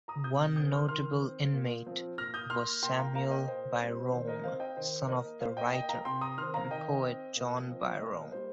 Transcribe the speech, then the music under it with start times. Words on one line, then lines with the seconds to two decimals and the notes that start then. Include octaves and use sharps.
One notable inmate was Samuel Byrom, son of the writer and poet John Byrom.
0.08 A#5 D#6
0.24 C3 D#6 G6
0.56 D#3 C4 D#6 G6
0.72 C6 F6
0.89 D#3 C6 F6
1.22 C4
1.53 A#2
1.86 F3 C4
2.18 A#2 F6 A#6
2.34 D#6 G6
2.50 A#3 C6 F6
2.83 A#2 G5 C6
2.98 F5 A#5
3.15 A#3 F5 A#5
3.31 D#5 G5
3.47 A#2 C5
3.79 G3 C4 C5
4.12 D#3 C5
4.28 A#4 D#5
4.44 C4 C5 F5
4.60 D#5 G5
4.77 D#3 C5
5.08 A#3 A#4 D#5
5.41 A#2 C5 F5
5.57 D#5 G5
5.73 A#3 D#5 G5
5.89 F5 A#5
6.05 C3 G5 C6
6.21 A#5 D#6
6.38 D#3 C4 C6 F6
6.54 F5 A#5
6.71 D#3 D#5 G5
7.02 C4
7.35 A#2
7.68 F3 C4
7.99 A#2 A#4 D#5
8.32 G3 A#3 C5